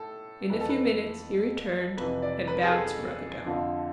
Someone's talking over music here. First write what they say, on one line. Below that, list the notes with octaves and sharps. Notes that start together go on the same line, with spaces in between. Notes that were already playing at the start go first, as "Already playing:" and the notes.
In a few minutes he returned and bowed to Ruggedo.
Already playing: A2 A4
F2 E3 B4
A4
B4
F2 C3 E3 B4
D5
B4
G#4
A4
F2 D3 F3